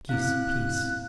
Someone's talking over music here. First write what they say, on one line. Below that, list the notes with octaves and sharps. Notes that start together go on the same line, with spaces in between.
Peace, peace!
C4 E4 F5 F#6